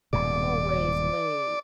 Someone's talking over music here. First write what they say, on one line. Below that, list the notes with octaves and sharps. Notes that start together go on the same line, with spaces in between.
Always late.
D#1 G#2 B2 D5